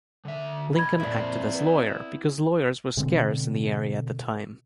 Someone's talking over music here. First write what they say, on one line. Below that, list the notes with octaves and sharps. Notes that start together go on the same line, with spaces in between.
Lincoln acted as lawyer because lawyers were scarce in the area at the time.
D3 E5
B1 D#5 B5 G#6
F2 A#2 E4 D5
B3
B2 D3 G#3 C4